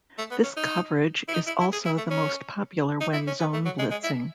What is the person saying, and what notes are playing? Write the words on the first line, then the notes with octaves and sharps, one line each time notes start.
This coverage is also the most popular when zone blitzing.
A3
B3
C#4
D#4
E4
D#4
E4
E4
G#4
E4
A3
C#4
D#4
E4
C#4
B3
A3
F#3
G#3
G#3
E4